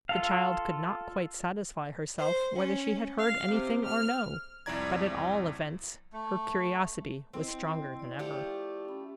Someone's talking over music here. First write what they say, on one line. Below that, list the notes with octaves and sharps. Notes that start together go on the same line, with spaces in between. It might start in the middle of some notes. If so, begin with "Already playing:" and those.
The child could not quite satisfy herself whether she had heard anything or no. But, at all events, her curiosity was stronger than ever.
F4 A4 F5
C5
C#4
F5
C3
F6
C2 F2 E4 D5 A#5 G#6
A3
C4 E4 D#5
E4 D5
F3 A3 G4
C#4 B5